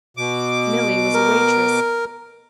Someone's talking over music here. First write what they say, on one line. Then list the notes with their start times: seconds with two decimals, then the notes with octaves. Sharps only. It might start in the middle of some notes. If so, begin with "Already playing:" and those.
Milly was a waitress.
0.17 B2 D6
1.14 A#4